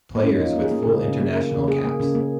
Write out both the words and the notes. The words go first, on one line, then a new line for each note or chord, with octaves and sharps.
Players with full international caps.
A#3
C#4
D#4
A#3 F4
A#3
G#4
A#3
G#4
C#3
C#3
A#3
A#3
C#3
A#3 G#4
A#3
C#3
A#3